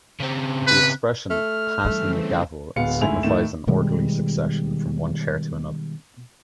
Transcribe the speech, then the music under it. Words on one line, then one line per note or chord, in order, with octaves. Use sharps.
The expression "passing the gavel" signifies an orderly succession from one chair to another.
C#3 C4
B4
A3 F6
C#3 E3 G3 A3 C4
D1 G#3 B3 F5 C#7
D2 G#2 E4 G#5 F7
A2 D#3 A3 E7
B2 D#3 G3 G#3